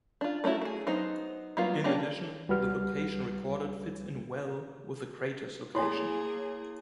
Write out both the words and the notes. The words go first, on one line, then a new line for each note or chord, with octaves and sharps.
In addition, the location recorded fits in well with the crater's location.
D4 F4
A3 C#4 D#4 E4 F#4
A3 G#4
F#3 B3 D#4 C5
F#3 G3 A#3 B3 F4
F#3 A#3 C#4 D4 G4
C#2 G3 F#4 B4 F6
A#3 E4 G#4 C#5 G#5 C6